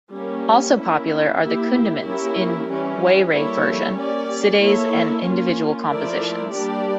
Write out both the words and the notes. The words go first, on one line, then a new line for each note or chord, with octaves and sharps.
Also popular are the kundimans in Waray version, sidays and individual compositions.
G3 A#3 C#4
A#3 C#4 E4
A#3 E4 G4
A#3 C#4 E4 G4 A#4
E3 G3 C#4
G3 A#3 E4 A4 C#5
A#3 C#4 G4 D5
A#3 E4 A4 C#5
A#3 C#4 F4
F3 A3 E4 A#4 D5
G3 A#3 D4 G4 D5